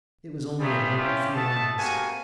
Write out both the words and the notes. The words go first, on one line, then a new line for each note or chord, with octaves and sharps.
It was only a note, a few lines.
F#3 G3 A3 B3 F4 G#4
F3 C#4 E4 F4 G4
A3 B3 A5
G#2 C3 A#3 F#4 A4 G#5